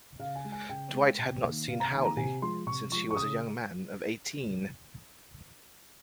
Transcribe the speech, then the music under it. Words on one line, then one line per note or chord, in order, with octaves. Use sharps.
Dwight had not seen Hawley since he was a young man of eighteen.
C#3 F5
G#5
G#3
G#5
C#3 G5
G#3
C3
D#3 A#3
C3 F5
A#5
D#3 A#3 G#5
A#5
C3 G#5
F3 G#3 C6
C3 C#6
F3 G#3 C#6
C#6
C#3 D#6